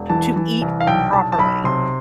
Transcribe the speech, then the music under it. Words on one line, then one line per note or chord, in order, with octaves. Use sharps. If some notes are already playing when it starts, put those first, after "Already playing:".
to eat properly.
Already playing: E1
E3 A5
E3
C2
F5
B1 G5
B1 A5
A5
B1 B5
C3 C6